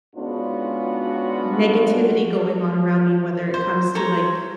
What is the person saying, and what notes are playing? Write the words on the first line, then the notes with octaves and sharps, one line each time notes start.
negativity going on around me, whether it comes to, like,
G#2 B3 C#4 D4 F4 F#4
C5
A4 C5 C#5 A#5